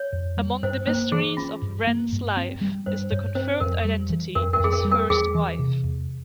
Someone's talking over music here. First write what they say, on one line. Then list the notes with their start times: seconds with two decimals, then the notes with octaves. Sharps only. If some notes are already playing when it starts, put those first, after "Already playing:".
Among the mysteries of Wren's life is the confirmed identity of his first wife.
Already playing: C#5
0.13 F2
0.37 G3
0.63 G2 C5
0.87 A#3 C5
1.12 E3 G#4
1.37 C#4 F4
1.62 G2
1.87 A#3
2.12 G2
2.37 C4
2.61 G3
2.86 G2 C5
3.11 G2 C#5
3.35 C4 C5
3.60 F2 A#4
3.85 G3
4.10 E3
4.35 F2 A#4
4.53 A#4
4.59 F2 G#4
4.72 A#4
4.85 G3
4.91 A#4
5.10 E2 G#4
5.35 E3
5.59 C3
5.84 E2